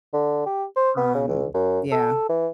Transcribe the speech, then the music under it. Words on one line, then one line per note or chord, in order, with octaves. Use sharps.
um, yeah.
D3
G4
C5
B3
C#3
C#2
F#2
A4
E3